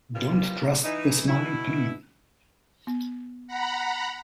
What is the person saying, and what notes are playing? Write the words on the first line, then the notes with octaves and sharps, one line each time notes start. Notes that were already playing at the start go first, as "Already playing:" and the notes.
Don't trust the smiling penguin.
E3 F3 G3 A#3 F4
E3 D#4
B2 E4
B3
F#5 A#5 B5